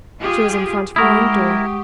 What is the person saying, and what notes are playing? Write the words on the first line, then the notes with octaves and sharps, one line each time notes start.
She was in front of her own door.
F4 G4 G#4
G#3 E4 G4 A#4 F#5 C#6 D#6